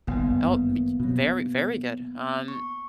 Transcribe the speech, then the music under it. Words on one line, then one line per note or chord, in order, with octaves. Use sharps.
oh, b j very, very good, um,
G1 F#2 D#3 A#3 B3
B2 F#3
C#6